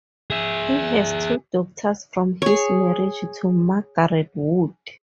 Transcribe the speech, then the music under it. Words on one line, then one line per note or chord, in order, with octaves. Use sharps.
He has two daughters from his marriage to Margaret Wood.
G#4 E5
G#4 C#5